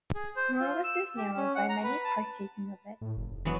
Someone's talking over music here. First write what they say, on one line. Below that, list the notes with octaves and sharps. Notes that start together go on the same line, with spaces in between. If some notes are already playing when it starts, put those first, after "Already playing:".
Nor was this narrowed by many partaking of it.
G#4
C5
F4
E6
G4
C#4
F#5
A#5
B4
A5
A2
F#1
F1
E3 F#3 B3